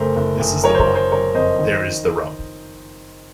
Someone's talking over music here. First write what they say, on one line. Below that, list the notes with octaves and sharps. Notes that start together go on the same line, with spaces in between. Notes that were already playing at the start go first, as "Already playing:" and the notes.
This is the point. There's the rub.
Already playing: F#1 A3 A#4 C5
F#1
F#1
F#3 A#4 C#5
C5
A#4
F#3
C5
F#3 A#4 C#5
F2 C5 D#5
D#3